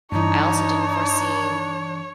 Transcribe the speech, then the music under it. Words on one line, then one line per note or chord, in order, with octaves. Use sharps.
I also didn't foresee
G2 E3 D4 D#4 C#5